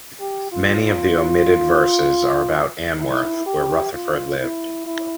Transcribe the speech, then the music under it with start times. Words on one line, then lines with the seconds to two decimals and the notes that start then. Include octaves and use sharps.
Many of the omitted verses are about Anwoth, where Rutherford lived.
0.20 G4
0.52 F4
0.83 F4
3.00 E4
3.46 G4
3.93 F4
4.40 E4
4.86 E4